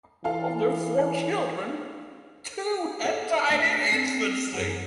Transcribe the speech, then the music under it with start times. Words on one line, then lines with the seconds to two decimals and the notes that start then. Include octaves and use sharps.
Of their four children, two had died in infancy.
0.24 E3 F4 A4 F5
3.04 A4 C#5 D5 F5 F#5
3.50 A3 A#3 D4 B4
3.92 C4
4.52 F#2 G#4 F#5 G#5